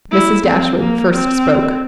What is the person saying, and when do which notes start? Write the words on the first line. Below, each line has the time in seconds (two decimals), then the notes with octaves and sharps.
Mrs. Dashwood first spoke.
0.12 E4
0.46 C4
0.79 A#3
1.13 C4